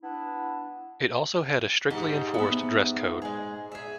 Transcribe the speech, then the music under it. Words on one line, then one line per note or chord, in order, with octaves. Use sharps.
It also had a strictly enforced dress code.
B3 D4 E4
G#2 G4
B3 E5
G#3 G#4
G#4 E5